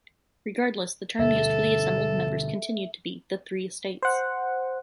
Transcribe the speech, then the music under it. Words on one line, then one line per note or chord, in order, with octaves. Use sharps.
Regardless, the term used for the assembled members continued to be "the Three Estates".
B2 D3 G3 A4 E5
C5 F#5